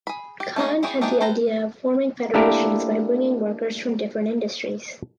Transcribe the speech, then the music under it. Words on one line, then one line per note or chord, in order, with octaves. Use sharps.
Khan had the idea of forming federations by bringing workers from different industries.
G#4 B5
G4
A3 A#3 D#4 G#4
E4 G4 G#4 C#5 D5
A3 D4 D#4 G4 G#4
A4 B4 C5 G5 A#5
A3 A#3 D4 E4 G4 A#4